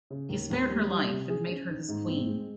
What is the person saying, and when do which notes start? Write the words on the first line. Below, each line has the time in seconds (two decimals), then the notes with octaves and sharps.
He spared her life, and made her his queen.
0.10 C#3
0.29 D#2
0.50 D#2
0.69 G3
0.89 G3
1.10 C3
1.29 G#4
1.49 C#4
1.69 D#3
1.89 G#2
2.08 C4
2.28 G#3